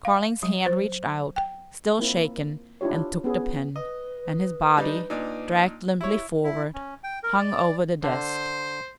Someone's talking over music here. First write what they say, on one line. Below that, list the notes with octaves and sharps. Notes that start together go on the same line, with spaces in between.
Carling's hand reached out, still shaking, and took the pen; and his body, dragged limply forward, hung over the desk.
F5
F#3
C5
G5
A#3 C4 E4
D4 E4 F4 G4 C#5
B3 C#4 G#4
B4 D#5
G3 D4 D#4
A#2 D4 D#4
E4 G4 C#5
E4
C#4
G5
A#4
D5
D3 C5